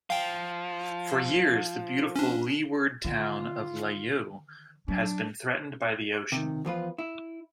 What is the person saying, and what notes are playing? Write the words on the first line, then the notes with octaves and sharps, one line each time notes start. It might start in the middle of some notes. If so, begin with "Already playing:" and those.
For years the beautiful Leeward town of Layou has been threatened by the ocean.
F3 F5 G5
C#4 D4
D3 D#3 F4
F#3 D4
C3 D#3
E2 F3 F4 B4
E4